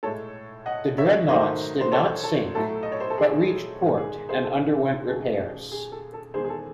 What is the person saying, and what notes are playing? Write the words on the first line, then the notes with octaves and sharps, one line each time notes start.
The dreadnoughts did not sink, but reached port and underwent repairs.
A2 G#3 A4 C#5
D#5 F#5
C#5 E5
G#2 D#3 F#3 A3 C5 D#5
C5
A4 C#5
A4
A2 F#3 A3 A4
D#5
C#5
C5
A4
G#4
G#2 D#3 G#3
G#4
G#4 C5
A4
D#2 C#3 F#3 A3 G#4
G#4
A4
A4
E2 D#3 G#3 G#4 C5
G#4
A4